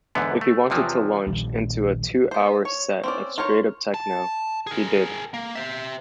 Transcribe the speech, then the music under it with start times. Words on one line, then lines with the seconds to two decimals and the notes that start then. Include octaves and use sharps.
If he wanted to launch into a two-hour set of straight-up techno, he did.
0.15 E2 G#2 D3 B3
0.41 A3
0.70 E2 C3 F3 F#3
1.27 D#1 A#1 D#2 G3
2.31 B3 C5
2.65 C#5
3.04 C4 C#4 D5
3.38 F4 A#4 C5 C#5
3.94 A5
4.67 G#4 A#4
5.34 A#3
5.56 C5 E5